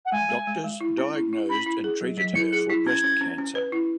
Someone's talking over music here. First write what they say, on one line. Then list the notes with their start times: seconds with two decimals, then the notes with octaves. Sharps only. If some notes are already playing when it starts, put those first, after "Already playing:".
Doctors diagnosed and treated her for breast cancer.
0.05 F#5
0.12 G#3 G#5
0.29 G#3
0.47 G#3
0.64 G#3
0.81 E4
0.98 C#4
1.15 E4
1.33 E4
1.49 C#4 B5
1.66 E4
1.84 G#4
2.01 F#3
2.18 F#3 B6
2.35 E4 C#7
2.52 G#4 C#7
2.69 E4 B6
2.86 C#4 G#6
3.04 C#4
3.21 C#4
3.38 C#4
3.55 B4
3.72 E4